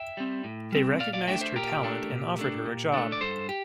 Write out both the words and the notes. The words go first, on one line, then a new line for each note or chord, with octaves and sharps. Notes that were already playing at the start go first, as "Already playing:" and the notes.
They recognized her talent and offered her a job.
Already playing: E5 G5
G3 C4
A2
G3 C4
A#2 D5 F5
D5 F5
A3 D4 E5 G5
C5 E5
A#2 G4 A#4
A3 D4
A#2
A3 D4
A#2
A3 D4
D5
G2 A4 C5
G4